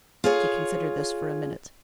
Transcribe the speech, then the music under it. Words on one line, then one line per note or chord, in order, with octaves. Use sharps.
She considered this for a minute.
F4 G#4 C#5